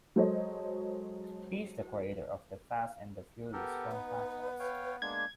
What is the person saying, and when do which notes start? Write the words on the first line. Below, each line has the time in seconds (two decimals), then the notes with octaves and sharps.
He is the creator of "The Fast and the Furious" film franchise.
0.16 F#3 G#3 A4 C5 C#5 D#5
3.53 B3 G4 A4 A#4
3.92 D#4 B4
4.60 C#5 F5 G5
5.02 G#3 A#3 D4 G#6